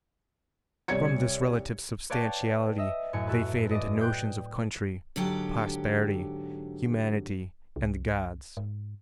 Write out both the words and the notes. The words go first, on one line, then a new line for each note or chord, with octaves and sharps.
From this relative substantiality they fade into notions of country, posterity, humanity, and the gods.
C2 C#5 D5 G#6 C#7
B4 C#5 D5 F5 G5 A5
D#5 E5
F#2 A2 G#5 C#7
F#4 A4 B4
D5 D#5
G5 F#6 G6
G#2 D3 F#3 G4
C2
G#2